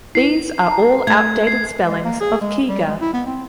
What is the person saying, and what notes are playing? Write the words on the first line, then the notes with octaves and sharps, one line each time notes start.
These are all outdated spellings of Kiga.
E4 C7
A5 A#5
A3 G#6
C7
G#3
A#3
G#4
G#3
G3
G#3
E4
B3
C4